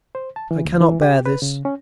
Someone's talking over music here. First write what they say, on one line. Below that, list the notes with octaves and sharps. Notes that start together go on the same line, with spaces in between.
I cannot bear this.
C5
A5
E3
D2
E3
G4
B4
C#3
C#4